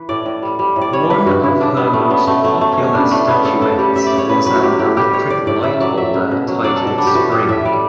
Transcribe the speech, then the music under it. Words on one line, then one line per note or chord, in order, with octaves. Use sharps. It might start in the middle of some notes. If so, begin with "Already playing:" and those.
One of her most popular statuettes was an electric light holder titled "Spring".
Already playing: E3 B4
A2 D5
A2
G3
G3
A2
D5
G3 C#5
E3 B4
G2 F#4
G2 E4
C#3 D4
G3 B3
G3 A3
C#3 B3
B2 A3
F#3 A3
F#3 A3
C#4
B2
C#4
G3 D4
E3 A3
C#3 B3
C#3 A4
C#3 A4
G3 G4
G3 E5
D5
C#3
C#5
A2 B4
F#3 B4
F#4
F#3 G4
A2 G4
G3 G4
E3 C#5
A2 D5
A2 D5
C#3 E5
F#3 D5
F#3 E5
C#3
B2
F#3
F#3 D5
A4
B2
A4
G3 D4
G4
E3 F#4
A2 G4
A2 E5
G3 D5